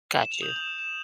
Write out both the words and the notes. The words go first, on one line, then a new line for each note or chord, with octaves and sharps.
Got you.
E7
F7
D#6 G6 F#7
E7
E7